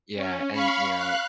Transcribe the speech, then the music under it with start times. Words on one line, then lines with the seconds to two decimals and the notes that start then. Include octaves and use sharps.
Yeah, and, you know,
0.15 C#4
0.52 F5 B5 C#6
0.92 F5 F#6